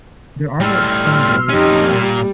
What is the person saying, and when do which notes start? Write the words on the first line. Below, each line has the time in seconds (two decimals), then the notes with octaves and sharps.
there are, like, some days where,
0.61 A2 G3 C6 E6 F6
1.50 F2 C#4 D#4 G4
1.92 A#2 G3